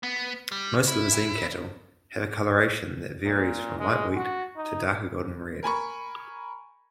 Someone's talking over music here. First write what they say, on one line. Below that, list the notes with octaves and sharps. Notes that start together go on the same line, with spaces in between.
Most Limousin cattle have a coloration that varies from light wheat to darker golden-red.
B3
G3
E4
A#2
G#3
F#4
D#4
A#4 G#5 B5 C#6